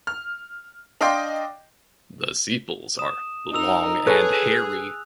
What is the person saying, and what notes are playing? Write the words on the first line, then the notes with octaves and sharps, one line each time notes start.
The sepals are long and hairy.
F6
D4 D#5 F5 G5 C6 D6
D#6 E7
D#4 A#4 D#6 E6 F7
G#4 A4 B4 C#5 F#6